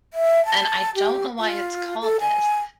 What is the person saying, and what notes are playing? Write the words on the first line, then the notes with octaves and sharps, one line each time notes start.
And I don't know why it's called this.
E5
A5
G4
F4
A4
G#5